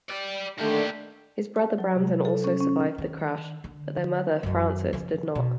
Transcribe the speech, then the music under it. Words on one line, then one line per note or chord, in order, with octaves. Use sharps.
His brother Brandon also survived the crash, but their mother, Frances, did not.
G4 D5
A#2 D3 D#3 A3 G4
A5
F#3
C3
A4
C#4
C#4
D#3
D3
F#2 D#3
C#3 F3
B2